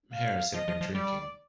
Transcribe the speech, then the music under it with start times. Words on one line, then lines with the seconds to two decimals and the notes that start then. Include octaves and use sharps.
Harris had been drinking.
0.13 F5
0.54 F3 D#5
0.68 F3
0.81 F3
0.94 G3 D5